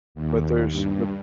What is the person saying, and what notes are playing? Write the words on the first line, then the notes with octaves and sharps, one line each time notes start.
but there's, but
D#2
G2